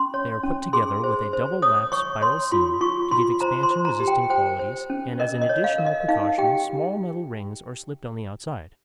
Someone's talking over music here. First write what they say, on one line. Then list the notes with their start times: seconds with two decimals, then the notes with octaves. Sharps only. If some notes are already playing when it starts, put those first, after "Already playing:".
They are put together with a double-lapped spiral seam to give expansion-resisting qualities, and as an additional precaution small metal rings are slipped on the outside.
Already playing: C#4 C6
0.14 C#5
0.43 C#4
0.73 G#4 C6
1.04 C5
1.33 C5
1.62 C#5 D#6
1.92 C#5 C#6
2.21 C#5 C6
2.51 F4 C6
2.81 F4 C#6
3.11 F4 C6
3.41 C5 A#5
3.63 C6
3.71 C5
3.85 A#5
4.00 G4
4.08 G5
4.30 C5 G5
4.59 C5
4.90 C#4
5.19 A#4 D#5
5.42 D#5
5.49 C#5
5.64 F5
5.78 A#4
5.86 D#5
6.08 D#4 F5
6.38 G4 G5